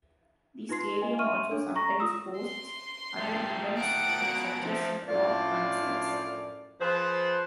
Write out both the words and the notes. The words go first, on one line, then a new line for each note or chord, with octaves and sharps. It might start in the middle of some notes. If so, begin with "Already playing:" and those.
The stadium also sometimes hosts other events such as rock concerts.
D#4 F4 B4 C6 C7
D#5 G#5
E5 C6 C#6 F6 D#7
D4 A4 C#5
A#5 C#6 A#6
F4 D#6 E6 E7
C6
A#2 G3 A3
F#5 D7
B2 A#3
F3 A3
F#2 A2 F3 D4 D5 F5
F3 F4 G#4 B4 C5